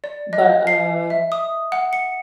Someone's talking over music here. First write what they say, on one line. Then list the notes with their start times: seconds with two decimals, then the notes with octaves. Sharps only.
but, uh,
0.04 D5
0.33 D#5
0.67 C7
1.10 E5
1.32 D#6
1.72 F#5
1.93 C#7